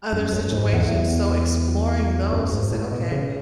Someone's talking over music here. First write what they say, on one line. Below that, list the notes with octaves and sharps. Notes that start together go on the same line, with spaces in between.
other situations; so, exploring those to say, "Okay,
F#2
F#2
G#2
E2
E2
F#2
G#2
A2
B2
C#3